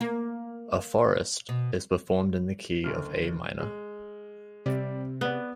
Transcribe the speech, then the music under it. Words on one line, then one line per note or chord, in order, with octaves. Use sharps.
"A Forest" is performed in the key of A minor.
A#3
B2
F#1 D2 F6
G#3
C3 G3 D5
B3 B4 D5